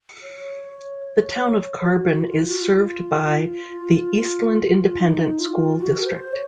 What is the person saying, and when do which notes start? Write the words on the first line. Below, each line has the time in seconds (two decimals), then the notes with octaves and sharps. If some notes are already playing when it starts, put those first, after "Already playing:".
The town of Carbon is served by the Eastland Independent School District.
0.21 C#5
1.81 F#4
2.21 F4
2.48 F#4
2.60 F4
4.99 D#4
5.39 F4
5.79 F#4
5.99 A#4
6.05 C5
6.32 C#5